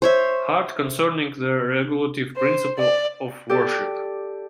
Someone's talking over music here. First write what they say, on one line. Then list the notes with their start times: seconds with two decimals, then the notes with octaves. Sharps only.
Hart concerning the regulative principle of worship.
0.02 C5 C#5 E5
2.37 C5
2.79 D5
3.49 G4 A4 D5